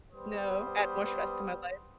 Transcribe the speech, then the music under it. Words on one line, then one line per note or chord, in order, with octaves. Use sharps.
No, add more stress to my life.
G3 B3 B4 C5 D#6